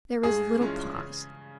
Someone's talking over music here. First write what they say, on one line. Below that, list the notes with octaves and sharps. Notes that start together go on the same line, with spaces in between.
There was a little pause.
G2 G#4
E3 G#3 C#4 F4
C#3